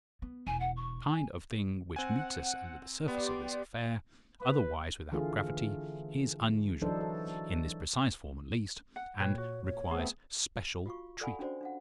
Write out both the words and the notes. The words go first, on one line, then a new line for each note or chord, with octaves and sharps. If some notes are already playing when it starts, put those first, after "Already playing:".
"The kind of thing which meets us under the surface of this affair, otherwise without gravity, is unusual--in this precise form at least--and requires special treatment."
B3
E1 G#5
F#5
C#6
G#5
C4 F#5 G#5
B3 G4 D5 C6
B4
D3 E3 A3 F4 G#4
E3 F#3 D4 D#4 A4 C5
A4
F#5
A#2 B4 C#5 G5
F#4 C#5
C#5
A3 B3 C4 G#4
F4 F#4 F5 C#6
A4 D5 F5 F#5 G#5 B5
C#4 D4 F#4 C5 D5
D4 F5 F#5